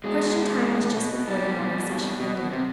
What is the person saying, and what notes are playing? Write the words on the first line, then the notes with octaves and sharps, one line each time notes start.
"Question time" was just before the morning session ended.
B2 G#3
B2
B2
B2
B2
B2
B2
B2
B2 G3
B2
B2
B2
B2
B2
B2
B2
C3